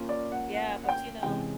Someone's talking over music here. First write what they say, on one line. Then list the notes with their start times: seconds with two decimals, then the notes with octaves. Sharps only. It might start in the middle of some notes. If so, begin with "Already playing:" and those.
Yeah, but, you know,
Already playing: A#3 C#4 F4
0.09 D5
0.32 F#5
0.54 F#5
0.84 F#5
0.89 G5
1.22 C3 E3 G#3 C#4 G5